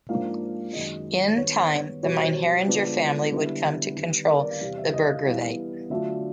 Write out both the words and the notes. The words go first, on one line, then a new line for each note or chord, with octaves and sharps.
In time the Meinheringer family would come to control the burgravate.
G#2 F3 A#3 D4 F4 F5
F#2 D#3 G#3 D#5
D#3 G3 B3 C#5
B2 G3 C4 C#5
C5
C5
D3 F3 G#3 B3 D4
B4
D3 G3 B3 E4
D#3 G3 B3
A#4
D5
F5
E2 C3 E3 G3 F5
E5
D#5
F5
E3 G3 B3 F5
D3 F#3 A3 D4 F4 E5